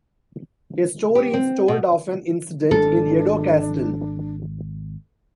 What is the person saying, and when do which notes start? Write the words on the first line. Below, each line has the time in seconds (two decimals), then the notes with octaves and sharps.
A story is told of an incident in Edo Castle.
1.15 G4
1.34 C4
1.68 B2
2.71 G#1 D4 A4